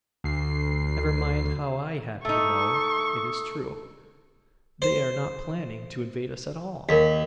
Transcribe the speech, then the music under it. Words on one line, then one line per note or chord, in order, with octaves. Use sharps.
Never mind how I happen to know; it is true; they are not planning to invade us at all!
D2 C7
A3 D#4 C#6 D#6 E6
C5
D#2 A#4 B6